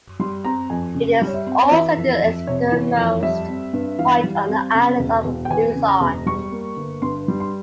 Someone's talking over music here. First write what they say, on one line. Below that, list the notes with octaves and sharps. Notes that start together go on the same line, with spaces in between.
It is also the easternmost point on the Island of Luzon.
G3 C6
C4 A#5
F2 G#5
C#3
G3
C#5
E5
C4
C#5
E3 E5
F2
F2
C3 C#5
E3
F2
G3 E5
C4
G2
E3 F5
G3
C4
C#3
E1
E1
G5
E2 G#5
C#3
A#5
E1
G3 C#6
A#3
G1
G2 C6
G3
C6